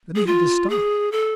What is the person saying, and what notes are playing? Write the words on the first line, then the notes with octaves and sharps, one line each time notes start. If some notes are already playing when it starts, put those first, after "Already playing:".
Then he had to stop.
G#4
F4
G#4
A4